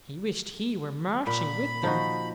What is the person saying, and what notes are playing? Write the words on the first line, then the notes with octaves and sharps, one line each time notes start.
He wished he were marching with them.
A#2 B5
F3 D#4 F#4